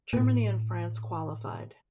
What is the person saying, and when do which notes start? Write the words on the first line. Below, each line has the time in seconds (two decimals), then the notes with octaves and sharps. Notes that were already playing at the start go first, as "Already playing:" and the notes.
Germany and France qualified.
0.13 A#2
0.18 A2